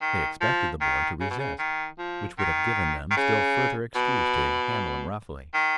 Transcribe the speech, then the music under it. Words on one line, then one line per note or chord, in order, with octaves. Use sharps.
They expected the boy to resist, which would have given them still further excuse to handle him roughly.
D#3
F3
D#3
C#3
B2
C#3
D#3
F3
D#3
D#3
C#3
B2
D#3